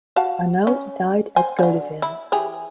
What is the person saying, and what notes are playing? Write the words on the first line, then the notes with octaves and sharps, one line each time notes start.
Arnault died at Goderville.
F#4 F5 A5
C#4
C5 G#5
D3 F#3
E4
E3 G4 G#4